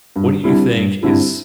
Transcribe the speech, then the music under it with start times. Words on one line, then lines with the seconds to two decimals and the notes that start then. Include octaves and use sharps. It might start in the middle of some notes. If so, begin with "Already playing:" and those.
what do you think is
0.16 G2
0.44 D3 G3 C4 E4
0.74 G2
1.03 D3 G3 C4 E4